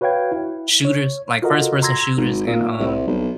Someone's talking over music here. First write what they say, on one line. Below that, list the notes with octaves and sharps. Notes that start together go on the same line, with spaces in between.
shooters like, first-person shooters and, um
F#4 B4 C#5 F5 G5 G#6
E4
C#5
F4 F#4 A4 A#4 D#5 F#5
A#5 C6 E6 G#6 A#6
G#1
A#2
C2
B1